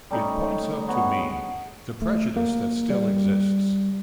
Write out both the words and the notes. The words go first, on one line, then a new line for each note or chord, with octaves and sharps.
It points up to me the prejudice that still exists.
G3 A3 C#4 D#4
F#3 B3 F#4 G#4
A3
A#3
G3